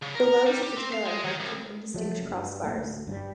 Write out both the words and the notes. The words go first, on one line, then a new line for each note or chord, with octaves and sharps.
The lobes of the tail are marked with indistinct crossbars.
C#3
A#4
G3
G4
C4
F5
G#3
D#3
C2
F3 F#3 A3
F#1 F#2
G2
B1 A2 A3 A#3
D2
G2 F3 G3